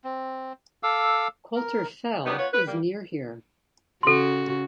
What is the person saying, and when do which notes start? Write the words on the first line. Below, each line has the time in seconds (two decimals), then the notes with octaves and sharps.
Coulter Fell is near here.
0.04 C4
0.83 A4 F5 D6 E6
1.56 A#4
2.26 F#3 G3 B3 D4 D#4 G4
2.38 B3 F4 B4 C#5
2.53 B4
2.67 G3 A#3
4.03 C#3 F#4 A4 C6